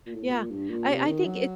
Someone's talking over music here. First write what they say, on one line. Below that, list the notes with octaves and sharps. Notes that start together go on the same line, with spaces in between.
yeah, I I think it's
A#2
A2
C3
A#2
G2
A#2
C3
D#3
F#3